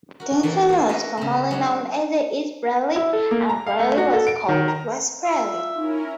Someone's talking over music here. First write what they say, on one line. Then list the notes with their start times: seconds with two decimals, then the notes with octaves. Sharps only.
Deighton was formally known as East Bradley, and Bradley was called West Bradley.
0.20 F#4 A#4
0.43 E3 A3 A#3 C4
0.69 A#3 C5
0.89 C#4 A#4 B4 D#5 E5
1.17 C#3 C4
1.51 F#3 G#3 D4 G#4 C#5
2.96 E4
3.13 A4
3.31 A#3
3.49 A#5
3.67 F5
3.79 A3
3.97 F#4
4.13 A4
4.27 D7
4.48 D#3
4.68 A#5
5.25 F4 E5
5.75 C#4 D#4 E4 A#4